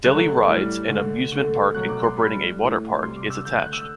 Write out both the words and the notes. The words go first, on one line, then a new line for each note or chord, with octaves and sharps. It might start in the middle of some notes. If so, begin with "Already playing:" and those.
Delhi Rides, an amusement park incorporating a water park, is attached.
D3 F#3 A3 F#6
A2 E3 G3
D3 A3
D3 A3
B2 F#3 A3 F#6
D6
C6
A2 G3 B5
A2 E3 A3
C3 G3 C6
D6
E6
D3 A3 G6
F#6
E6